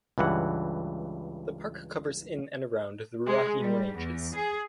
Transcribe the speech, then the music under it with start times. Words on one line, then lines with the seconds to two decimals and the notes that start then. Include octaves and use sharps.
The park covers in and around the Ruahine Ranges.
0.18 C#2 G2 E3 F#5
3.26 G#3
3.61 G3
3.96 E2
4.35 G#4